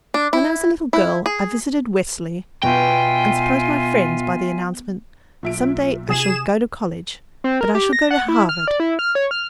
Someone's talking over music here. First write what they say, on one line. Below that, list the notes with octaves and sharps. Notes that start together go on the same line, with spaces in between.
When I was a little girl, I visited Wellesley and surprised my friends by the announcement, "Some day I shall go to college--but I shall go to Harvard!"
D4
E4
E4
G#4
B2 F4 E5 G5 G#5
B1 A#2 E5 D7
C3 G#4 E7
C4
A#4
G4
A#6
F#5
E4
F6
D5
E4
F6
C#5
F6